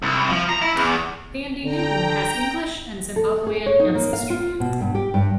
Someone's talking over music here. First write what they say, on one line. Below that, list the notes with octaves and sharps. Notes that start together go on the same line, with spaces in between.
Thandie Newton has English and Zimbabwean ancestry.
C2
F3
A#5
E4
E2
D3 G5 A#5
A4
G#4
C#5
D#4
A#3
F5
F4
B2
G2
G4
G2